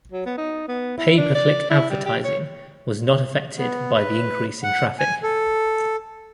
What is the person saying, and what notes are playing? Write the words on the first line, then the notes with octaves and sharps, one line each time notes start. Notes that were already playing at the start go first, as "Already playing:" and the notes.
Pay-per-click advertising was not affected by the increase in traffic.
F#3
B3
D#4
B3
E4
D4
D5
E4
G3
G4
C#5
B3
B4
F#5
G#5
A4